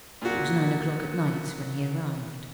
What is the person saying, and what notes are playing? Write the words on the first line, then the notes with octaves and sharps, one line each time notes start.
It was nine o'clock at night when he arrived.
A#2 F#4